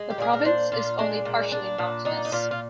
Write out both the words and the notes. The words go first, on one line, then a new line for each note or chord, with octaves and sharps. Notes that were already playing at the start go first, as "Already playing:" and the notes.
The province is only partially mountainous.
Already playing: G#3
G4
A#2 G#4
A#4
D4 C5
A#2 F4
G#3 D4
A#2
D4
A#2
D4 D#4
D#4
A#2 F4
F4